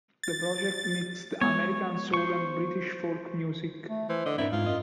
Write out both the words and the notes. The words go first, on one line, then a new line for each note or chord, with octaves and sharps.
The project mixed American soul and British Folk music.
A6
G#3 B3 C#5
C5 C#6
A3
E3 C5
D3 D#5
G#2 C4 D4 E4 A#4
G#2 D#4 F4
F#2 D#5